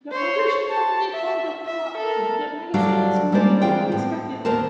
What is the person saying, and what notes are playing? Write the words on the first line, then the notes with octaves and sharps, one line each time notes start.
The publishing company pulled the plug and the magazine was quietly discontinued.
C5 C#5
A5
E5
E5
A4 A#4
D2 F#3 G3 A3 D4 F5
G3 G#3 A#3 C#4 C5 D5
D2 E3 C4 F4 G#4 G5
A2 B3
D#2 B3 A#4 C5 A5